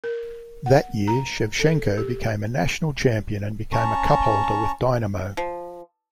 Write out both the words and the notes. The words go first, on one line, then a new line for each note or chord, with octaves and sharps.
That year Shevchenko became a national champion and became a cup holder with Dynamo.
A#4
F#5
A#5
A4
G4
C#4 A5 A#5 C#6
F3